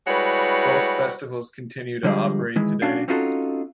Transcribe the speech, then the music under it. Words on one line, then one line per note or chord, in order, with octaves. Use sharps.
Both festivals continue to operate today.
G3 G#3 E4 F#4 B4 C#5
D3 F3 G3 G#3
D#3 E3 G#3
B1 C#4 D4 F#4 D5 F5
C4 C#4 D#4 F4 F#4 A4